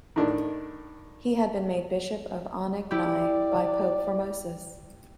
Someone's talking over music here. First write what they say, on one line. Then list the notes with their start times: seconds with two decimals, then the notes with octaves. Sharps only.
He had been made bishop of Anagni by Pope Formosus.
0.16 A2 D#3 D4
2.91 E4 G4 D5